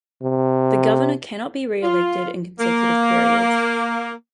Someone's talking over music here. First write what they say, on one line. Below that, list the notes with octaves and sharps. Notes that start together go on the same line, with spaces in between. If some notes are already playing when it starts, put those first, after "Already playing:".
The governor cannot be re-elected in consecutive periods.
C3
F4
A#3